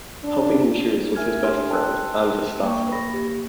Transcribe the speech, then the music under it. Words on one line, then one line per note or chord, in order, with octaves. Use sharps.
Helping him choose was his best friend Andra Stasko.
D4
A#4 E5 G#5 F6 G#6
D4 G4 A4 G#5 C6
G5 A5 C6 E6 F#6
A#3 G5 C#6
A#3 B5 A#6
G4